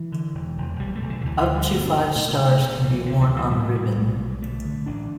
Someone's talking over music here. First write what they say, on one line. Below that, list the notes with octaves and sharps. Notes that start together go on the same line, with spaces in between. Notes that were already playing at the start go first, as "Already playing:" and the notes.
Up to five stars can be worn on a ribbon.
Already playing: E3
D3
E1
E1
B1 G3
A3
B1
D3
D3
D2 E3
E3
D3
G3
G1 B3
D4
D3
B2 A3
A3
B2
D4
B2 B3
B1 E3
D2 D3
E3
D3
E3
A2 G3
A3
A2 G3
B1
B1
D3 A3
D3
A1 D4